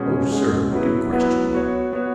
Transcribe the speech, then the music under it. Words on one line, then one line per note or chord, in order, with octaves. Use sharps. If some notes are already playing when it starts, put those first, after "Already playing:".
"Oh, sir, do question me!"
Already playing: B2 G#3 C#4 G#4
B2 G#3 C#4 G#4
F#3 B3 E4 B4
F#3 B3 E4 B4
B3 F#4 C#5
B3 F#4 C#5